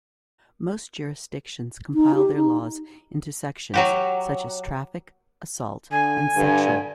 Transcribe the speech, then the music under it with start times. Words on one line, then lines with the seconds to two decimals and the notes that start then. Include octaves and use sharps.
Most jurisdictions compile their laws into sections, such as traffic, assault, and sexual.
1.94 D#4
2.15 G4
2.36 D#4
3.74 F#3 F#4 G4
5.91 D3 G#5
6.36 G2 D3